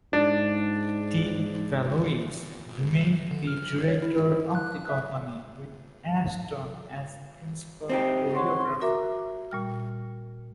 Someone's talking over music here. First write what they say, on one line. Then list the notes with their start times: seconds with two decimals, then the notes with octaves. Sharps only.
De Valois remained the director of the company, with Ashton as principal choreographer.
0.13 G#2 D4
3.31 D3
3.47 F6
3.88 C#5
4.02 E4
4.55 F#6
4.89 E5
7.89 C4 D#4 G4
8.34 C#5 F#5 C6
8.81 F#4 A#4 E5 A#5 D6
9.51 A#2 G3 F6